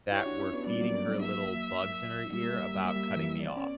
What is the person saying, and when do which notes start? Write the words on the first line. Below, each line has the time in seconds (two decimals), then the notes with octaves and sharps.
that were feeding her little bugs in her ear about cutting me off.
0.11 E4 G4 C#5
0.25 D4 F#4
0.39 C#4 E4
0.53 B3 D4
0.67 G3 B3 D5
0.81 F#3 A#3
0.94 A#3 C#4
1.08 G3 B3
1.22 F#3 A#3 E5
2.33 G3 E5
2.43 A#3
2.53 G3
2.64 A#3
2.74 G3
2.85 A#3 E5
2.95 G3
3.06 A#3
3.16 E3 G3
3.42 B3 D5
3.56 C#4